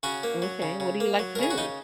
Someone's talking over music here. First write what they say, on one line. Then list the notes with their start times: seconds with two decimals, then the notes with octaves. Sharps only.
M'kay, what do you like to do?
0.03 C#3 C#4 F#4
0.23 A#3
0.42 F#3
0.62 C#3
0.80 C#3
1.00 A#3
1.19 F#3
1.35 A#4
1.39 C#3 G#4
1.51 F#4
1.58 C#3 D#4